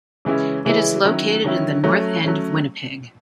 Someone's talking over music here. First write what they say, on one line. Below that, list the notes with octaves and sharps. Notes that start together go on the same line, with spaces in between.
It is located in the north end of Winnipeg.
C#3 E3 G#3 C#4 E4
C#3 E3 G#3 C#4 E4
D#3 F#3 C#4 E4
D#3 F#3 C#4 E4
F#3 A3 C#4
F#3 A3 C#4